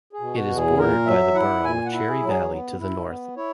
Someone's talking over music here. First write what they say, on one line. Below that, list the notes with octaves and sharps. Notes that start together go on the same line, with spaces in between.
It is bordered by the borough of Cherry Valley to the north.
G#4
B2
F#4
E2
G#4
A#2 A#4
F#3 E5
E4 F#5
A#2 G#5
F#5
E4
G#4
F#3
G#4
B3
E4
B3
E4 C#5